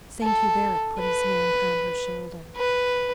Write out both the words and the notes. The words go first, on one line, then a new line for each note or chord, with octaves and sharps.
Saint Hubert put his hand on her shoulder.
A4
B4
B4